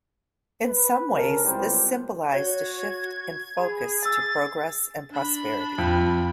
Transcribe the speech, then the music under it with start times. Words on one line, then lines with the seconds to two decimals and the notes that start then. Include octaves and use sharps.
In some ways this symbolised a shift in focus to progress and prosperity.
0.66 B4
1.12 D2 C#4 A4 A#4
1.44 C#2 G3 C4 E4 B4 C5
2.33 F#4 C#5 G#6
3.58 G#4 B5
4.03 G#5 E6 A6
5.11 D4 B5
5.78 F2